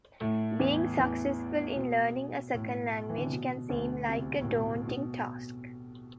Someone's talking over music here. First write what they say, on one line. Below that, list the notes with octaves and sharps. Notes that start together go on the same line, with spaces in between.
Being successful in learning a second language can seem like a daunting task.
A2 A3
E2 E3
E2 E3
B2
A2
E3
D3
C3
B2
D2 D3
C2 C3
A2
B2
B2